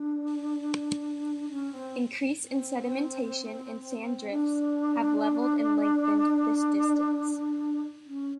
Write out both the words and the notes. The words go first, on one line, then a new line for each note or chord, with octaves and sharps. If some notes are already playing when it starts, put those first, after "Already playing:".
Increase in sedimentation and sand drifts have leveled and lengthened this distance.
Already playing: D4
C#4
C4
C4
D4
C#4